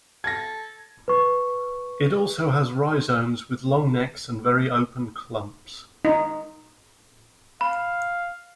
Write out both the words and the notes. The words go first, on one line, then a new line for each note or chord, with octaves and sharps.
It also has rhizomes with long necks and very open clumps.
A4 G#6 A#6
B4 C#6
D#4
F5 B5